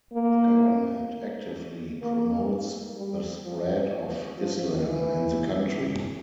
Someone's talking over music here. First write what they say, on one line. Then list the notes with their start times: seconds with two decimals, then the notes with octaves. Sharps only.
The government actively promotes the spread of Islam in the country.
0.13 A#3
2.02 A#3
2.97 G3
3.44 F3
4.38 F3
4.86 E3